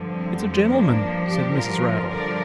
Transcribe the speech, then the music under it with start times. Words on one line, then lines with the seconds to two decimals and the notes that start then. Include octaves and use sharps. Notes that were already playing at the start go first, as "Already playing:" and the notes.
'It's a gentleman,' said Mrs. Raddle.
Already playing: G2 D3 F3
0.11 G3 C4
0.40 F2 F3
0.67 A#3 D4
0.97 G2 F3
1.24 D4 G4
1.53 G2 D3 F3 F4 A#4
2.10 G2 D3 F3 A#4 D5